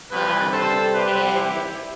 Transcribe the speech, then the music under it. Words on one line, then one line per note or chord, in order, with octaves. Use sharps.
um, and
C3 G3 C4 G4 B4
A4 C5
G4 B4
E4 G4